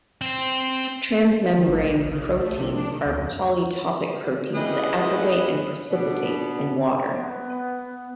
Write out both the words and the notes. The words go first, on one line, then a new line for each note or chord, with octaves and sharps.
Transmembrane proteins are polytopic proteins that aggregate and precipitate in water.
C4 C5
D#3
G#1
B1
A#1
C#3
B1
A3
C3
D4
D#3
D2
F2
C#4 E4 G4 G#4 B4 D#5
B2 B3 D4
B3